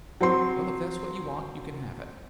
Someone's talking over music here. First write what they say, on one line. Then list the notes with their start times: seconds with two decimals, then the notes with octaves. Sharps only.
Well, if that's what you want, you can have it.
0.21 F#3 C4 C6